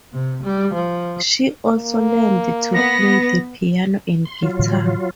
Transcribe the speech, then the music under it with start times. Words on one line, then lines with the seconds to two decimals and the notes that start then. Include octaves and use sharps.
She also learned to play the piano and guitar.
0.12 C3
0.43 G3
0.74 F3
1.73 A#3
2.74 B3 A#6
4.25 C6
4.42 F#3 F4
4.59 A2 D3 E3